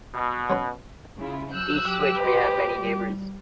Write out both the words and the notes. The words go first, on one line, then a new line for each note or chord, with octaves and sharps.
Each switch may have many neighbors.
B2
F#3 C#4 B4
C#3 E4 F4
F#3 E6 F#6 G6
G4
B4 C5 D#5
G3